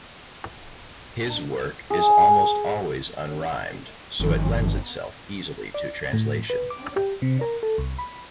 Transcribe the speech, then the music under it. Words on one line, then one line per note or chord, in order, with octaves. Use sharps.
His work is almost always unrhymed, so lends itself easily to translation.
G#4
G1 G2 D#3 F3
D5
A2
B4
D6
G4
C3
A#4
A4
C2
B5